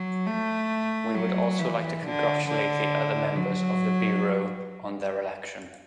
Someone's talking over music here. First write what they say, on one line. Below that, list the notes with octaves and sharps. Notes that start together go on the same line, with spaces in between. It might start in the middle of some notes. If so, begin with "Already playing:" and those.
We would also like to congratulate the other members of the Bureau on their election.
Already playing: F#3
A3
F#3
E3
D3
D3
F#3